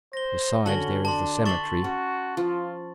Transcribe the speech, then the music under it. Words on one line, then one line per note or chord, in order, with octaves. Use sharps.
Besides, there is the cemetery.
C5 A#6 G7
D3 C#4 F#4 A5 F#7 G7
D4 A5 C6
E5 C6 C#6 A6 F#7
C#4 F#4
F3 F4